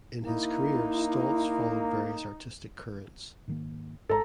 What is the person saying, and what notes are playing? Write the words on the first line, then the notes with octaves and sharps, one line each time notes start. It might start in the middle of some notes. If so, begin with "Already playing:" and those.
In his career Stolz followed various artistic currents.
A#3 D#4 E4
G#2 D#3 A#3
G#1 G#2 A4 A#5